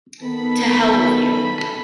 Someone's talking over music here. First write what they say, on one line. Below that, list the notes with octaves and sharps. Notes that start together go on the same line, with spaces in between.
To hell with you!
D#3 B3 A4 B5